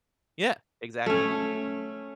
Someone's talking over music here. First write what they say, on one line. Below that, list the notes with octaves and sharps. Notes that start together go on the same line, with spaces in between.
Yeah. Exactly.
A3 C#4